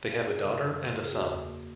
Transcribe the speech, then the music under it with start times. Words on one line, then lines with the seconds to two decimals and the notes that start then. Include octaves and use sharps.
They have a daughter and a son.
0.14 F#2 A#4
0.26 G#4
0.38 C#3 A#4
0.64 F#2
0.88 C#3
0.98 A#4
1.05 G#4
1.12 E2 F#4
1.38 A#3